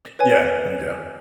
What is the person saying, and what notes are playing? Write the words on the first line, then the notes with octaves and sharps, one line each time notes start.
Yeah. There you go.
B4 C#5 G#5